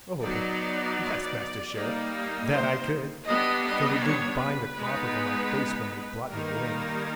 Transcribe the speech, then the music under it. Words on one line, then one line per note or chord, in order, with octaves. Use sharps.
"Oh! yes, Master Sheriff, that I could, though they did bind a cloth over my face when they brought me away."
F#3 B3 D#4 D5
G3 A#3 D#4
C5
G3 B3 D4 D#5
D#5
C#5
B4
G#3 B3 D#4
D#3 G3 A#3 D#4 A#4